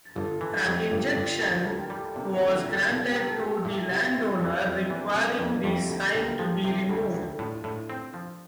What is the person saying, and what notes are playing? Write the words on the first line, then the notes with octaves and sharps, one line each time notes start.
An injunction was granted to the landowner requiring the sign to be removed.
G1 F4 A4
E3 F4 A4
F2 E4 G4
G1 E4 G4
G1 D4 F4
D2 E4 G4
A#4
F4 A4
D2
G4 A#4
G3
F4 A4
C3 A#3 D4
C4 E4
D2
D4 F4
D2 F4
E4 G4
C2 F4 A4
G4 A#4
C4
F4 A4
A3
G4 A#4
A#2 E4 G4
C2 E4 G4
C4
E4
F2 D4 F4
F2 C4 E4
E3 A#3 D4
C3 A3 C4
A#3 D4
F2
D4 F4
F2
E4 G4
D2 E4 G4
G4 A#4
D2
F3
F4 A4
C3 E4 G4
D2
D2
A2 D4 F4
A2
C4
F3